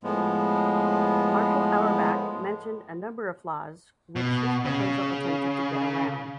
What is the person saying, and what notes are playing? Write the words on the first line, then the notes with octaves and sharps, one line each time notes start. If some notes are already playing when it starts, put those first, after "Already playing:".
Marshall Auerback mentioned a number of flaws which his proposal attempted to get around.
A2 F3 G#3 B3
B2
C#3